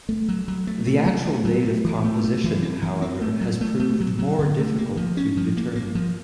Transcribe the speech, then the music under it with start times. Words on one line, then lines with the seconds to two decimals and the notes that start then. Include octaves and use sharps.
The actual date of composition, however, has proved more difficult to determine.
0.09 A3
0.29 F#3
0.48 F#3
0.67 A3
0.87 A3
1.06 F#3
1.25 A3
1.45 F#3
1.65 A3
1.84 E3
2.04 A3
2.24 A3
2.44 E3
2.62 C4
2.82 E3
3.02 C4
3.21 A3
3.41 F#3
3.61 A3
3.80 A3
4.00 F#3
4.19 F#3
4.39 D3
4.59 A3
4.78 A#3
4.97 F3
5.17 C#4
5.37 F3
5.57 A#3
5.76 A#3
5.95 F3